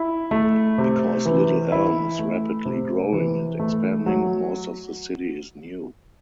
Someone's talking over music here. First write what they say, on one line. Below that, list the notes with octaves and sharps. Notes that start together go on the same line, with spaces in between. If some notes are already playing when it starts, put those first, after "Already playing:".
Because Little Elm is rapidly growing and expanding, most of the city is new.
Already playing: E4
A3
C3
E3
E4
A3
C3
E3
A3
F#3